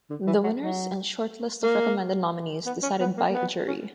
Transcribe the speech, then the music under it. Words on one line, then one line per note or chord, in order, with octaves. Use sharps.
The winners and short list of recommended nominees decided by a jury.
D3
E3
F#3
F#3
A#3
B3
C#4
B3
A#3
A#3
B3
C#4